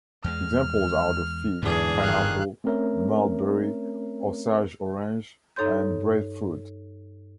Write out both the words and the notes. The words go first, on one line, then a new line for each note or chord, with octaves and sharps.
Examples are the fig, pineapple, mulberry, osage-orange, and breadfruit.
E2 G#3 F6
E2 G#2 D3 D4 G#4
G1 D#3 F5 F#6
A3 C4 C#4 A#4 C#5 E5
G2 D#4 A4 C#5 C6 G6